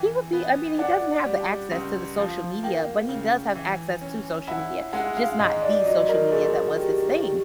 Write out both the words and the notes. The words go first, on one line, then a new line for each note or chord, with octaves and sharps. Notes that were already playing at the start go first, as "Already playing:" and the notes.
He would be I mean, he doesn't have the access to the social media, but he does have access to social media, just not the social media that was his thing.
Already playing: E3 G5
B3
D4 F#5
G3
C#2
F3
A#3 G5
C#3
E3
C#4
E4 F#5
G#3 F#5
F5
G#2 D#5
D5
F#3 D#5
A#4
A3 G#4
D#3 G4
G4